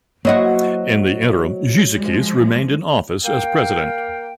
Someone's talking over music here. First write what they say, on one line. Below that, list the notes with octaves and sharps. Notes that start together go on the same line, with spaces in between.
In the interim, Gizikis, remained in office as President.
F#3 A#3 E4 F#4 C5 D#5
F3 G#3
A#3 F5 G5